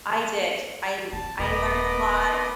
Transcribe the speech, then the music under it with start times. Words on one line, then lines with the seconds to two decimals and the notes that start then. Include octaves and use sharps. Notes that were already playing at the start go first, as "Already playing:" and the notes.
I did, I l I learned a lot,
1.12 B3 A5
1.39 D#1 B3 A#4 D#5 B5 D6